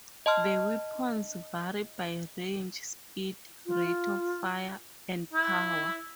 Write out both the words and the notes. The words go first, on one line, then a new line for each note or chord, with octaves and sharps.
The weapons vary by range, speed, rate-of-fire, and power.
D#5 A5 C6 F6
F4
E4